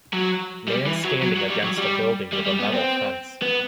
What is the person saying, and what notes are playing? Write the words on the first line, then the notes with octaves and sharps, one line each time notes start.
Man standing against a building with a metal fence.
F#3
G3
E3
F#3
F#3
F#3
G3
F#3
G3
G3
G3
B3
C4
B3